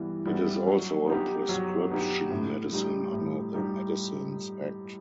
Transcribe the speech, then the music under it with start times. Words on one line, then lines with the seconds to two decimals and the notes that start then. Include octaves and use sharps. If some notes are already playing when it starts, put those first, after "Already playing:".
It is also a prescription medicine under the Medicines Act.
Already playing: E3 G3 B3 E4
0.26 G3 B3 E4
0.67 F#3
1.07 B3 D#4 G4
1.49 F#3
1.90 B3 D#4 G4
2.31 A2
2.72 G3 D#4 G4
3.12 A2
3.53 G3 D#4 G4